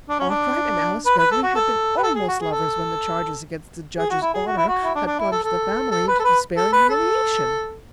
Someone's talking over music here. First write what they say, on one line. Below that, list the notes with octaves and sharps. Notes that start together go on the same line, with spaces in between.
Arkwright and Alice Greggory had been almost lovers when the charges against the Judge's honor had plunged the family into despairing humiliation.
D4
C#4
D4
B4
B4
A4
F#4
A4
B4
A4
G#4
F#4
G#4
A4
G#4
F#4
E4
G#4
F#4
E4
F#4
E4
D4
D4
E4
A4
A4
A4
B4
A4
B4
A4
B4
A4